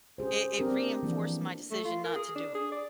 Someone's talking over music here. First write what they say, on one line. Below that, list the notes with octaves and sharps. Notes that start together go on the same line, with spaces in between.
it it reinforced my decision not to do it.
C#4 G4 G#4 C5
C4 D4 G4 A#4
E3 F3 A#3 D4
A3
F4
A#4
G#4
D4
G#4
D5